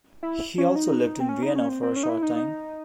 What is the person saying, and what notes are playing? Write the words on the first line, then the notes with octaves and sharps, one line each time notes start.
He also lived in Vienna for a short time.
E4
C#4
D#4
C4
C#4
D#4
C#4
C4
C4
C#4
D#4
E4
D#4
D#4